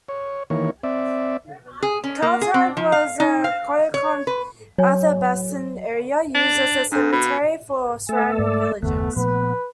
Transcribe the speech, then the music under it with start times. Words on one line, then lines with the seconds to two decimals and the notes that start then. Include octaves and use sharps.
Kaltag was a Koyokon Athabascan area used as a cemetery for surrounding villages.
0.09 C#5
0.50 D#3 E3 A#3 C#5
0.83 C4 D5 E5
1.82 G#4
2.04 C#4
2.22 A#3
2.41 G#4
2.54 C4
2.77 F3
2.92 F5
3.20 D#4
3.44 F5
3.94 C#5
4.27 B4
4.78 F#3 C#5 G#5
6.35 D4
6.92 G#2 D4 A4
7.12 B2 B5
8.09 A3 A4 G#5
8.39 G#2 D5
8.83 F#1 D#2 A3 B3
9.16 A#2 F3 A3 B4